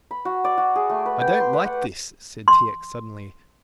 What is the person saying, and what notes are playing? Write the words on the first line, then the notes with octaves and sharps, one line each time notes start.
"I don't like this," said T. X., suddenly.
B5
F#4
D5
F#4
G#4
A3
B4
G5
C6
B4
F#5
C6